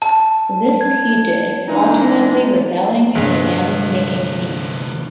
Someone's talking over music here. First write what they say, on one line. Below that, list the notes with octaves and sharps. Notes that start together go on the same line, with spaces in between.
This he did, alternately rebelling and again making peace.
A5
G#6
A#2 E3 G#3 D4 D#4
C2 G2 D3 G#3